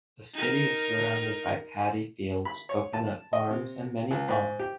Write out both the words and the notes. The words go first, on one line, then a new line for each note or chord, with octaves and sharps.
The city is surrounded by paddy fields, coconut farms, and many ponds.
D#4 A#4
B5
C#5
A5
D#5
C3
C#2
G#2
G4